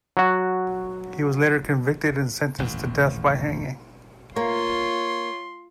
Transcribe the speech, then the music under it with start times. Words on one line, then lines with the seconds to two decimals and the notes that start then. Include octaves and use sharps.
He was later convicted and sentenced to death by hanging.
0.17 F#3 F#4
2.58 D#1 A1 F2
4.36 A#3 F4 C#5 C6